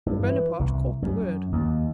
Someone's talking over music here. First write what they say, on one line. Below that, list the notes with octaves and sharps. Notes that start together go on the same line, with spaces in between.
Bonaparte caught the word.
G2
E3
C2
F#2
D#2